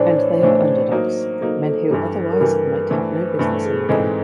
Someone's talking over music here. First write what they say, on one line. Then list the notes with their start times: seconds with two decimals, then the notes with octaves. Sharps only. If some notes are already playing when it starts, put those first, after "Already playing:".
And they are underdogs, men who otherwise might have no business in the game.
Already playing: A2 E3 A3 D4 C5 D5
0.17 C#5
0.41 A2 E3 A3 D4 C5
0.91 F#3 A#3 D#4
1.41 F#3 A#3 D#4 A4
1.65 A4
1.91 G2 E3 G3
2.32 A#4
2.40 G2 E3 G3 B4
2.65 B4
2.89 G2 E3 A3 C5
3.15 B4
3.22 C5
3.29 B4
3.39 G2 E3 A3
3.53 A4
3.64 G#4
3.89 G#2 E3 G#3 C4 A4